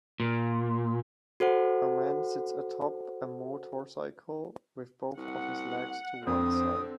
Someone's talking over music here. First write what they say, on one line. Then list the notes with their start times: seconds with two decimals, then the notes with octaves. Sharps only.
A man sits atop a motorcycle with both of his legs to one side.
0.20 A#2
1.40 F#4 A4 C5 F#5
5.17 C2 F#5
6.27 F2 D3 C4 D#6